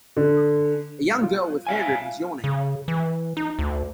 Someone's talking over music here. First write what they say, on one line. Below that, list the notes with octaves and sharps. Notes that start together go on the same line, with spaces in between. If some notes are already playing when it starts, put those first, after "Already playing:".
A young girl with hair ribbons yawning.
D3
F4
E5 F5 G#5
C#3
E3
D#4
D2